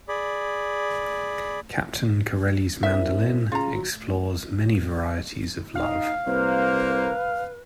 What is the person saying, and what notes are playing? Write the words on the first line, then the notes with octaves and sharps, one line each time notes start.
"Captain Corelli's Mandolin" explores many varieties of love.
G#4 D5 B5
C2 E5
C#3 F4 A#5
F#3
D#4 F5
C2 A#3 B4 C5